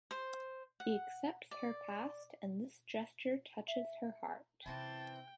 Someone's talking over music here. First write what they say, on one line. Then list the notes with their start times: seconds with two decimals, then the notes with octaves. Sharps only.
He accepts her past and this gesture touches her heart.
0.11 C5
0.80 F#5
1.51 D5
3.68 E5
4.66 C3 E3 C4 C#4 E4 G5 A5